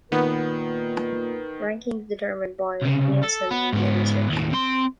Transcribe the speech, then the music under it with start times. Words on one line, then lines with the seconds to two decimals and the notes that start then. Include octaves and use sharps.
"Rankings determined by Nielsen Media Research".
0.12 A#2 D#3 B3 B4
2.82 C2 C#3
3.24 A4
3.51 B3
3.73 G#2 B3
4.29 D#2 A2
4.52 C4 C6